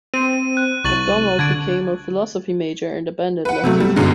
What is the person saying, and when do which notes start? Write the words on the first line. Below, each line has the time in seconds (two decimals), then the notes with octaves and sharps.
MacDonald became a philosophy major and abandoned leftism.
0.14 C4 D#7
0.57 F#6
0.85 C2 C#6 A6 F#7
1.39 D3 G#6 D7
3.45 B4 F#5
3.63 C3 F#3 A3
3.80 G3
3.96 F#2 B2 D3 G3 G#3